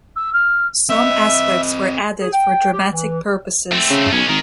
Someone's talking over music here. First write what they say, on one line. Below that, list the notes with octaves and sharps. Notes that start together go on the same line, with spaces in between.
Some aspects were added for dramatic purposes.
E6
F6
C4 D#5 E5
G#4
G5
G4
E3
A3 C4
C#3
B1 G#3 C#4
G#1 D#3